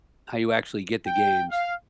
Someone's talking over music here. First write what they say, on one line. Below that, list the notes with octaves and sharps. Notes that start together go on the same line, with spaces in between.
how you actually get the games,
G5
F5